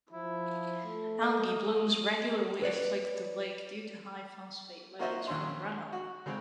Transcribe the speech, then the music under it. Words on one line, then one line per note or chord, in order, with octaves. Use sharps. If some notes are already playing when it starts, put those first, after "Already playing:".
Algae blooms regularly afflict the lake due to high phosphate levels from runoff.
F3 E4
A3
D#5
B4 C#5 D5
A#3 F4 F#4 C5 D#5 E5
A#1 D#2 C#4 C6
F#4
C#3 G#3 C4